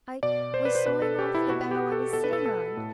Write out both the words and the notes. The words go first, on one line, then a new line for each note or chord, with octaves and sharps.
I was sawing off the bough I was sitting on.
B2 D5
C5
B4
C5
B2 B4
A4
G4
E4
B2 F#4
G4
A4
B2 A4
B4
A4
A4
A2